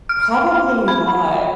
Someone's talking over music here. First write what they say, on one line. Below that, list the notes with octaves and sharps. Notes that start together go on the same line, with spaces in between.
Probably not.
F6
B5